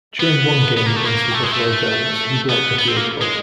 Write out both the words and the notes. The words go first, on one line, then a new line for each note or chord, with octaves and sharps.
During one game against the Buffalo Bills, he blocked a field goal.
B3
B3
A#3
A3
A#3
A3
G#3
A3
B3
B3
C4
A#3
G#3